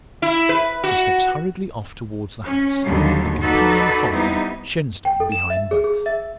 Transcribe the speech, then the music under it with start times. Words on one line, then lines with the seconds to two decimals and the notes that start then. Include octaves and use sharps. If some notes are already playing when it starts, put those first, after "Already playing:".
She steps hurriedly off towards the house, the companion following, Shenstone behind both.
0.22 E4
0.49 B4
0.83 F#4
2.44 C#4
2.84 D#2 D3 F#3 G3
3.40 D#4 F#4 A4 B4 D5
4.12 G3 B3 C4 D#4 E4
5.05 G5
5.20 A4
5.32 E7
5.50 E5
5.71 G#4
5.84 G#4
6.06 E5